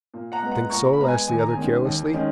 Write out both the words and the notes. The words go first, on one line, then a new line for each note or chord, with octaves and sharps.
"Think so?" asked the other carelessly.
A#2
F#5 A#5
G#3 B3
F#5 A#5
A#2 A#5 C#6
B5
G#3 B3 A#5
G#5
D#2 G#5
A#5
G#5
D#3 G#3 C#4
D#2
D#3 G#3 C#4